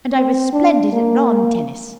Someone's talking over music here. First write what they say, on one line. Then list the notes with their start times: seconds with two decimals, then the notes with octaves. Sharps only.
"And I was splendid at lawn tennis."
0.14 C4
0.53 D4
0.93 A#3